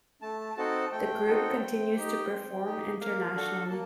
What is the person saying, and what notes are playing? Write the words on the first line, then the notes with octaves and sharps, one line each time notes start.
The group continues to perform internationally.
A3 A5
C4 D#4 F#4 A4 A5
A3 G5
C4 D#4 F#4 A4
C4
D#4 G4
C4
D#4 G4
A#3 F5
D4 F#4 A4
A#3 A5